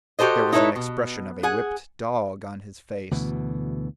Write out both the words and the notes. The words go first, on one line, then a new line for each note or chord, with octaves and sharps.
There was an expression of a whipped dog on his face.
F#4 G4 A4 C5 D#5
D#4 E4 A4 B4 C#5
B2
G#4 F#5 G#5
D2 B2 E3